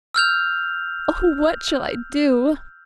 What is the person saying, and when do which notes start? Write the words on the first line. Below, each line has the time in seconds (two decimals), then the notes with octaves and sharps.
Oh, what shall I do?
0.14 E6 F6 G6 F7